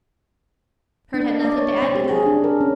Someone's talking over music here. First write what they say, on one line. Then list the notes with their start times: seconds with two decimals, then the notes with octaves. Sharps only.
Kurt had nothing to add to that.
1.14 D4
1.31 D#5
1.45 D5
1.58 C#5
1.71 D5
1.82 C4
1.95 G4
2.11 G#4
2.26 D4
2.44 A#4
2.61 C#4